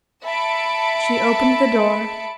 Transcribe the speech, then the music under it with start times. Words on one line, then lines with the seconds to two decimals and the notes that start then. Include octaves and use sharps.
She opened the door.
0.24 E5 A5 B5 C#7 D7